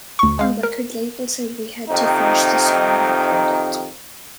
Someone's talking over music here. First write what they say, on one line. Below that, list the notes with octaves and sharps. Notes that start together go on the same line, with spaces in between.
Our record label said we had to finish the song and record it.
D2 C#6
G#3 F5
A#4
F2 C3 D#3 D#4